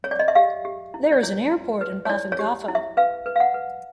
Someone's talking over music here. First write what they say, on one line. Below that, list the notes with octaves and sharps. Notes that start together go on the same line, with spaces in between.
There is an airport in Bafangafo.
C#5
D5
D#5
E5
G4 F5
G4
E4
D5
E4 C#5
E4
B4
C#5
E4 D5
C#5
G4
E4
E5
B4 F5
B4
F5
F#5
B4